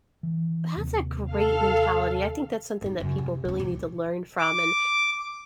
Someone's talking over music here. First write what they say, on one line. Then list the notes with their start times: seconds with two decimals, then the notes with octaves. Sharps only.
That's a great mentality, I think that's something that people really need to learn from, and
0.23 E3
0.76 D#2 C3
1.31 A4 F5
2.82 G#2 D#4
3.00 F#2 C#3
3.18 C3
3.45 D2 C#4
3.60 B2 F3
4.39 D6